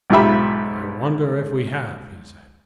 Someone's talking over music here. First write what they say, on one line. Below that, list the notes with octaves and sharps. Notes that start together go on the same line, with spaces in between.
"I wonder if we have?" he said.
B1 G#2 F4 G4 E5 B5